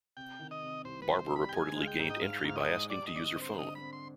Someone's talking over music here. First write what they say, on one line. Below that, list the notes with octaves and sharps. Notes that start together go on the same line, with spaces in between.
Barbara reportedly gained entry by asking to use her phone.
C3 G5
D#3
D#5
C3
C2 C5
B4
G3
C5
G3
B5
G5
G#3 G#5
G#3
F5
G5
G#2
D#5
G#2 F5
G#2 F5
D#5
G#3
G3 D5
D#5
D3 D5
D#5
C4
C5
D3 D#5
B5
C4
C6